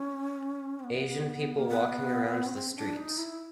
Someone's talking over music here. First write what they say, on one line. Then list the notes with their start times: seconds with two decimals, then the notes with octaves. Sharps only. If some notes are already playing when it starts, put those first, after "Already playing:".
Asian people walking around the streets.
Already playing: C#4
0.80 C4
0.84 B3
1.58 A#3
1.69 B3
2.47 C#4
2.54 C4
2.76 D4
2.96 D#4
3.18 E4